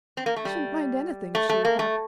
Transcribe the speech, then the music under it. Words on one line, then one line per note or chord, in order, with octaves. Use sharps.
I shouldn't mind anything if she would have me.
C4
A#3
A3
G3
A3
A3
A#3
A3